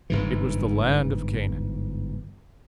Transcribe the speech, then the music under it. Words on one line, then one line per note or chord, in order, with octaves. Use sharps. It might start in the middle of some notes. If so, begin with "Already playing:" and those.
It was the land of Canaan.
G1 G#2 E3